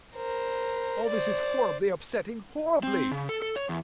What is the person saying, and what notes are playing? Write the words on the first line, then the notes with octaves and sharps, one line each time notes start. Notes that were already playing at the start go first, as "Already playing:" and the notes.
All this is horribly upsetting, horribly.
A#4 C5
C5 D5
C4
C#3
A4
A4
C#5
E2